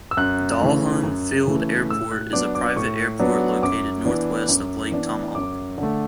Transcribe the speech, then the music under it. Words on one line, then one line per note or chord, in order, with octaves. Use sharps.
Dolhun Field Airport is a private airport located northwest of Lake Tomahawk.
E6
F#2 F#6
C#3 E3 A3
F#2
C#3 E3 A3
A2 E6
F#6
F#3 B3 D4 D6
D6
A2 C#6
F#3 B3 D4
F#2 D6
E3 B3 D4
F#2
E3 B3 D4
F#2 D6
D3
A3